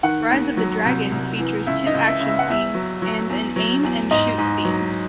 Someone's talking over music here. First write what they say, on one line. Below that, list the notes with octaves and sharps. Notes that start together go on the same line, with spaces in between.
"Rise of the Dragon" features two action scenes and an aim-and-shoot scene.
D#3 F#5
D#2
F#3
C2
C2
E3
C#2 E5
D#5
C#2
E5
C#3
E5
F#5
E2 E5
F#3
F#3
E2
F#3
E2
G#2 D#5
G#2
F#3